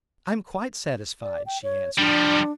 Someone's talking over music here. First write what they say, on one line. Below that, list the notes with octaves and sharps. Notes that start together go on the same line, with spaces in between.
"I'm quite satisfied," she answered.
D5
G5
C#5
F3 G3 D4